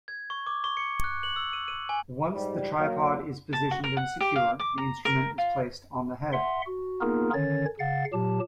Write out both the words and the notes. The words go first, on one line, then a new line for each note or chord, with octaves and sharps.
Once the tripod is positioned and secure, the instrument is placed on the head.
G#6
C#6
D6
C#6
C#7
F#6
F#7
E6
D#7
D#7
G#5
G#2 G3
F#3 A#3
A5
F#4
A#4
F#5
G4
F5
D6
A#5
A#4
F4
E5 F#5 C6
F#4
A#3 B3 D#4 F4 G#4 A#4
D3 D#3 C#4 C#5 A6
C#3 F5 F#5 A6
A#2 F#3 G4 A5